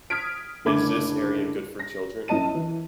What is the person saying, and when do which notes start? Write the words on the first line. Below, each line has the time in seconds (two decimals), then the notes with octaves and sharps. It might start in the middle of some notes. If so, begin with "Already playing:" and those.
Is this area good for children?
0.10 D#6 F6 G#6 B6 D7
0.65 F#1 D3 A3 B5 D6 G#6
1.79 A#6
2.28 F#2 E4 D#5 A5 D#7
2.54 E3